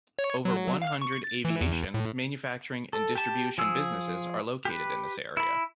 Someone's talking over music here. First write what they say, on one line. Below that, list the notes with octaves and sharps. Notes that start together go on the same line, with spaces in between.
Over one hundred aviation, manufacturing and distribution businesses are located in this area.
C#5
F#3
F5
C#6
A6
E3
E2
A2
A4
G4 A5
F3 G#4 E6
G4 B4
E4 B5